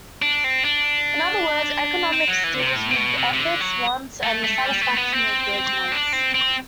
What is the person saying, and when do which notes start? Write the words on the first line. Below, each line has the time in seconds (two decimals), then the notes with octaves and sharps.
In other words, economics deals with effort, wants, and the satisfaction of those wants.
0.22 D4
0.44 C4
0.65 D4
2.12 C4
2.28 F#3
2.44 E3
2.54 D3
2.59 C3
2.76 A2
2.91 C3
2.97 B2
3.17 C3
3.33 C3
3.39 D3
3.60 F#3
4.23 A3
4.44 A3
4.66 G3
4.81 A3
4.97 B3
5.13 C4
5.92 D4
6.13 C4
6.34 C4